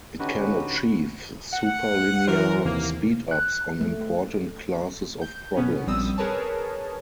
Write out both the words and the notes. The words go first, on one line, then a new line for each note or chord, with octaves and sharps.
It can achieve super linear speed-ups on important classes of problems.
D3 C#4 D#4 F#4 G4 B4
F#5
E3 F#4 A#4 C5
D#2 C3 E3 A#3
F#6
A3
G6
B2 B3 C#4
A#1 G3 C4 D#6 E6
G#4 A#4 B4 C#5 A5